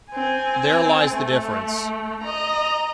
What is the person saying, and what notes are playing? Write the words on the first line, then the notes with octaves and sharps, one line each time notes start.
There lies the difference.
C4 G#5
A3
D#5 A#5